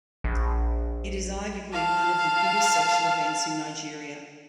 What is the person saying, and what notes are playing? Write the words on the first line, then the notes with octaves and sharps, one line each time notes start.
It is arguably one of the biggest social events in Nigeria.
A#1
F5 A5